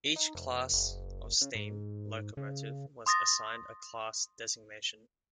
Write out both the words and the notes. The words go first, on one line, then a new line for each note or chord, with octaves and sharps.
Each class of steam locomotive was assigned a class designation.
D#4
F1
F#1
C#3
G#2
C#3
C6 D#6 A6 A#6